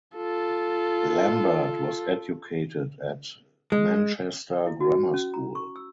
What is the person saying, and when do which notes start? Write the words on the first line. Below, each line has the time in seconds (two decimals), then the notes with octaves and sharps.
Lambert was educated at Manchester Grammar School.
0.16 F4 A4
3.72 G#3
4.67 E4
4.80 F#4
5.14 C#4
5.34 A#5
5.55 C#6
5.76 E6